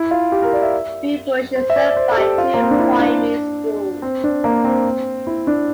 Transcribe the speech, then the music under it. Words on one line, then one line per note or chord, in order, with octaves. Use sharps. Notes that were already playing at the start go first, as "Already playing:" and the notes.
Bewbush is served by two Primary schools.
Already playing: E4
F4
G4
A#4
D5
E5
C5
E5
D5
C5
A4
G4
F4
A#3
C4
D4
E4
D4
C4
D4
A#3
C4
E4
D4